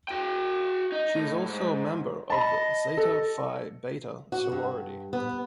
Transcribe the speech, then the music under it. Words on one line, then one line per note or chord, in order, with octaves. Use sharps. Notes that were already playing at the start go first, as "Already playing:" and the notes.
She is also a member of the Zeta Phi Beta Sorority.
F#4 G5
D#4
A2
G#2
D#5 A5 B5
A4
F#4
G2
B3